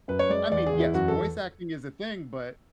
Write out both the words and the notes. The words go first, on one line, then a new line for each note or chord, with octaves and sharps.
I mean, yes, voice acting is a thing, but
F#2 B4
C#5
G#3 D5
E2 D5
G#4
E2
E4
F#2 F#4
A4